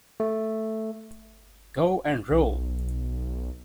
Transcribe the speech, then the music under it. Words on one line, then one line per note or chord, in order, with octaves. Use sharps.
Go and rule!
A3
B1